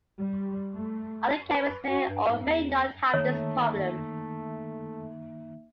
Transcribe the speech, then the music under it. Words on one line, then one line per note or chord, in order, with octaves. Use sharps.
Other cameras may or may not have this problem.
G3
A3
B4
F#4
G2
G#2
E2
D#3 A3 A#3 D#4 C#5 E5